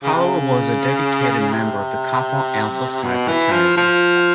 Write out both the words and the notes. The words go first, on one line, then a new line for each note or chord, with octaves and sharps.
Hollowell was a dedicated member of Kappa Alpha Psi fraternity.
C#3
C3
C#3
C3
B2
E3
F3
F3